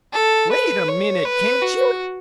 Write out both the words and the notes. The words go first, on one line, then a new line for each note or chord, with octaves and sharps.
"Wait a MINUTE, can't you?"
A4
B4
C#5
B4
F#4